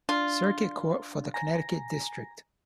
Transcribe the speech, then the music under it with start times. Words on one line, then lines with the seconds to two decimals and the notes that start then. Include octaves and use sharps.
Circuit Court for the Connecticut District.
0.09 D4 F4
1.34 G#5 A#5 A#6